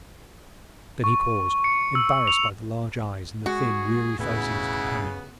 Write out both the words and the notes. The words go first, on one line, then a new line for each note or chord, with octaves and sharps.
Then he paused, embarrassed by the large eyes and the thin, weary face of his companion.
C#6
C#7
E6
F7
G#3 F#4 G#4
E1 A2 C#3 B3 E4